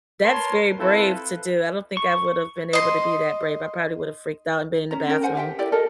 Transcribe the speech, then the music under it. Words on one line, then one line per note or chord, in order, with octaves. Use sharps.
that's very brave to do, I don't think I would have been able to be that brave, I probably would have freaked out and been in the bathroom,
A#4 B4 C#5 A5 C6
C4 E4 F4 A4 B4
C#6
D#5 C6
C#4 A#5
C#4 A#4 G5
B4 C5 F#5 G#5
G4 E5 G5
E4 G4 A#4 D5
A4 A#4 D#5